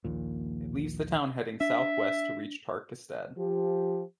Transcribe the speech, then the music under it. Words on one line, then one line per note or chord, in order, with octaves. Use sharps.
It leaves the town heading south-west to reach Tarkastad.
A#1 D#2 A#2
D4 E5
F3 G4